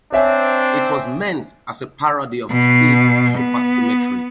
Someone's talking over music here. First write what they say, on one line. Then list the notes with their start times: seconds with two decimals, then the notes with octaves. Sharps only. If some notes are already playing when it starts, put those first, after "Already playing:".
It was meant as a parody of Split Supersymmetry.
0.12 C4 D4 C#5 E5 G#5
2.51 B2
3.38 B3